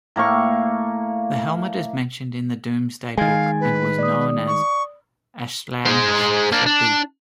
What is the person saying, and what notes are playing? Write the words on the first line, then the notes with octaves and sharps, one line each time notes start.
The hamlet is mentioned in the Domesday Book and was known as Aslachesbi.
A2 A#3 F5 C#6
D#3 G#3 F5 G#5 G#6 A6
B4
D5 D#6
C#6
G#3 C5
A#3 D4
D4